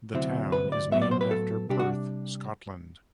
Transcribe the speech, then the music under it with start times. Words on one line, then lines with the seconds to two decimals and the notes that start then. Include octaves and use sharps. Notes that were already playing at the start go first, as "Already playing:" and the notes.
The town is named after Perth, Scotland.
0.14 D2 C3 F#3 C4 E4
0.52 B4
0.72 D5
0.91 A2 F#3 B3 E5
1.02 D5
1.11 C5
1.21 B4
1.31 A4
1.69 C3 G3 D4 G4
1.79 F#4